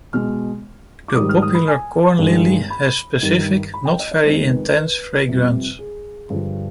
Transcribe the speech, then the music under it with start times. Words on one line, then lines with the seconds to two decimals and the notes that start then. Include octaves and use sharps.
The popular corn lily has specific, not very intense fragrance.
0.13 B2 G#3 F6
1.08 D6
1.16 G#2 D#3 G3 D#6
1.29 F6
1.42 D#6
1.55 B5
1.67 G#5
2.19 G2 D#3 G#3
2.70 B5
3.22 G2 D#3 G3
3.74 B5
3.85 G5
3.99 D#5
4.11 D#5
4.24 F2 D#3 G#3 C5
4.50 B4
4.76 B4
5.28 F2 C3 G3
5.79 G#4
6.30 G2 D3 F3